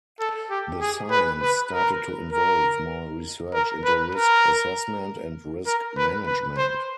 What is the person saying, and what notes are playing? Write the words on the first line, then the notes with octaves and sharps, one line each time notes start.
The science started to involve more research into risk assessment and risk management.
A4
G4
G#4
B4
B4
A#4
A#4
A#4
B4
A#4
A#4
B4
B4
C5